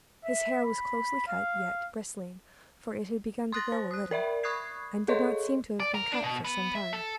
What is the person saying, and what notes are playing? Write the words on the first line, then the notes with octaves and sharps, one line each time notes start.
His hair was closely cut, yet bristling, for it had begun to grow a little, and did not seem to have been cut for some time.
E5
B5
F5
C6 D#6 F#6 A6 A#6
C5
D#6 F#6
A#4 D5 E5 B5
B5 C#6 D#6 F#6 G#6 C7
G#4 A4 C#5 D#5 C6 C#6
D5
A#4
D4
B2
B3
E5
A4